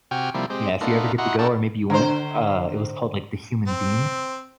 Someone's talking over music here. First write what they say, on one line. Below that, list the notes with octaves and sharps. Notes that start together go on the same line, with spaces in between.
yeah, if you ever get to go or maybe you went, uh, it was called, like, The Human Bean.
C3 F#4 G4 G5 G#5 F6
C3 F3 G3 A#3 E4
G#3 C4 G4
A3 B3 D4 D#4 F4 A#4
E4 F#4 D#5 F#5 A#5 C6
D4 F#4 A4 A#4 G5 A5
D3 C5
C4